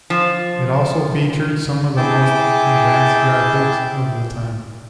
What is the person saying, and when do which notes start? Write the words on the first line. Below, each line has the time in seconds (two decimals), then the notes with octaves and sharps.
It also featured some of the most advanced graphics of the time.
0.10 F3
1.97 E4 G#4 G5 A5 D6